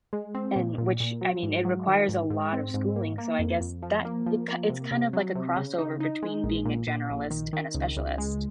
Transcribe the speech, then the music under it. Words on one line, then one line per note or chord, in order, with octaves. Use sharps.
And which, I mean, it requires a lot of schooling, so I guess that it ki it's kind of like a crossover between being a generalist and a specialist.
G#3
C4
A#2
A#2
A#2
F#3
G#2
F#3
D#3
G#2
G#2
C4
G#2
A#3
A#3
F2
F2
F3
A#3
F3
A#3
C3
C3
F#3
C3
C#3
D#4
D#4
G#3
A#1
A#2
A#2
A#1
D#3
D#3
C#2
C#2
G#3